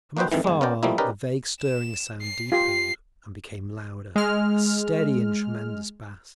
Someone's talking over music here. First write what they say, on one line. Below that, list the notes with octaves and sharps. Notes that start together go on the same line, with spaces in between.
From afar the vague stirring sound deepened and became louder, a steady and tremendous bass.
A#3 D#4 F#4 B4 C5 G5
F2 G#2 D#3 E3
G1 G#3
B3 C#4 A#4 D5 G5
F3 G3 A3 A#3 D#4 E4
C#4 D#4 G4 A#4 B4 D5
E7
C7
F4 G4 C7
G#3 F6